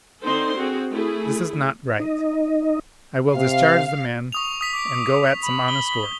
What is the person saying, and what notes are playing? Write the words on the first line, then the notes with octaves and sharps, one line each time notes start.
This is not right, I will discharge the men and go at some honest work.
D3 C4 D#4 A4 C5 C6
C4 F#4 G#4
A3 E4 G#4
D#4 D#5
C3 F5
C#6 D#6 F7
D#6 B6
D6
B5
G7